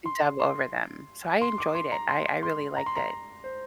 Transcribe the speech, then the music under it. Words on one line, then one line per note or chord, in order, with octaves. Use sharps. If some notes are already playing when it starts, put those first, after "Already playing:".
dub over them, so I enjoyed it, I I really liked it.
C6
C6
C6
D6
C6
A#5
C6
C6
A#5
C6
A#5
C5